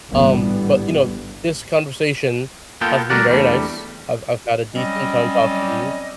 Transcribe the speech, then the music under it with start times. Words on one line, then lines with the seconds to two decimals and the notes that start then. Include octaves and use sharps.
um, but, you know, this conversation has been very nice. I've I've had a decent time talking to you
0.12 A1 G#2 D3 E3 G3 B3
2.81 A#3 B3 F4 A4 G5
3.10 G3 A3 A#4 D5 F#5
3.29 E2 G3 A3 D4
4.74 F#3 G3 C4 C#4 D5 D#5